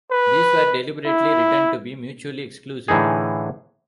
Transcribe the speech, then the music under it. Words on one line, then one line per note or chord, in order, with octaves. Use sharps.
These were deliberately written to be mutually exclusive.
B4
E4
A2 D3 E3 D#4 G#4